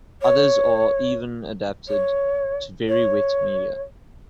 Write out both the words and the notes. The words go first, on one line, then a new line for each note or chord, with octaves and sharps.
Others are even adapted to very wet media.
C#5
C#5
C#5